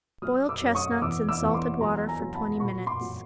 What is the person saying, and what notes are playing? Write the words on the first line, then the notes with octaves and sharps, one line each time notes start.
Boil chestnuts in salted water for twenty minutes.
F#3 D#6 F6
D6 E6
F#2
C#6 D#6
E2 D6 E6
D6 E6
E2
C#6
C6 D6
F#3 A#5 C6
G#5 A#5
F#3
A5 B5
A#2 B5 C#6
C6 D6
F#3